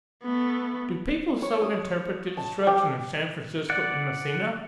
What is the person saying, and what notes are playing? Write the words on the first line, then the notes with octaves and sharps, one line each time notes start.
Do people so interpret the destruction of San Francisco and Messina?
A3 B3
C#5
D#6
A5
G4
D5 F#5